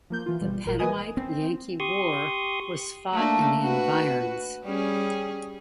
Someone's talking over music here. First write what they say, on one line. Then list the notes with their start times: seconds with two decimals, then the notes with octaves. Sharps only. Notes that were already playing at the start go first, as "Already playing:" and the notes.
The Pennamite-Yankee War was fought in the environs.
0.10 F3 A#3 G6
0.26 E3 F4
0.40 G1 B2 G3
0.66 G#1 A#2 A#4
0.79 E3 A#3 B4 D#5 G#5 D#6
1.17 C4
1.80 G4 C6 C#6 D#6
3.13 A3 A#3 D4
3.63 F#4 B4
4.64 G3 C#4 G#4